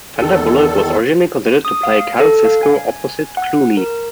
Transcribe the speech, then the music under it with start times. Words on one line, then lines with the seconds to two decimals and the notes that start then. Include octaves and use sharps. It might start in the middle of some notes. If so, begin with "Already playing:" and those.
Sandra Bullock was originally considered to play Karen Sisco opposite Clooney.
0.18 E2 D#3 A4
1.65 D#6
1.83 F5
2.19 A4
2.45 F5
2.63 G#5
3.37 F#5
3.77 A#4